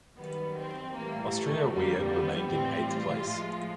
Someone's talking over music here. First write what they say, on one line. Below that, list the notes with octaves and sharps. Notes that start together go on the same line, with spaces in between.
Austria Wien remained in eighth place.
F#2 D#3 G3 B3
C4
A2 E3 G3 A#3
A3
F2 D3 G3 A#3
B3
A2 E3 G3 C4
F4
A2 F3 G#3